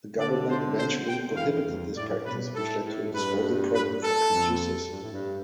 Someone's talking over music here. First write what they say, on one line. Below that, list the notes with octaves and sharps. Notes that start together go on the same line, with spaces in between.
The government eventually prohibited this practice which led to a disposal problem for producers.
D3 D5
C5
C5
G5
D3
E3 F5
F2
A2 D5
B2 B4
A2 A4
A2
G2 B4
B4
A4
F2
G2
A2
G2